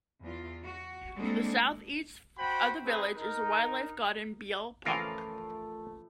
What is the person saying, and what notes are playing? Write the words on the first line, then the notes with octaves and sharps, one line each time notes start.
To the south-east of the village is the wildlife garden Beale Park.
E2 F4
F#4
G3 G#3 A#3 C4 D4 A4
F#4 C5 G5 B5
C4 D#4 G#4 B4
D#4 A#4
E3 F3 A3 C#4 F4 A#4 F5